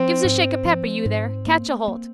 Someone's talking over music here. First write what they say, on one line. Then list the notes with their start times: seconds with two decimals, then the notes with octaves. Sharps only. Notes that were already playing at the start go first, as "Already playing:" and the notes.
Give's a shake of peppe, you there. Catch aholt.
Already playing: F3 C4
0.24 G#2
0.65 F3
1.06 G#2
1.47 A#3
1.88 A#3